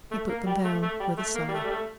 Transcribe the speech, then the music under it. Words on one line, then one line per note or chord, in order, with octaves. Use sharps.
He put them down with a sigh.
A3
A#3
G3
A3
A3
G3
A3
A#3
G3
A3
G3
A3